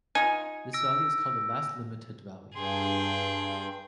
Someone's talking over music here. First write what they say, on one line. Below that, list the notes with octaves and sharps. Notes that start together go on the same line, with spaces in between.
This valley is called the last limited valley.
D#4 F4 G#5
E6 A#6 D7
G2 G#4 G5 C6